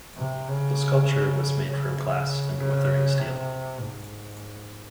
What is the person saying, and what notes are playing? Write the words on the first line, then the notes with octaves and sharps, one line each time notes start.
The sculpture was made from glass and weathering steel.
C3
C#3
C#3
C#3
C3
G#2